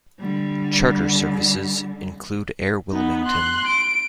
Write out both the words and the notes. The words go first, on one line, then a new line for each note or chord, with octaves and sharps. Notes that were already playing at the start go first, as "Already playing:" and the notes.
Charter services include Air Wilmington.
D3 G3
B3 D#4
C6 F#6
D7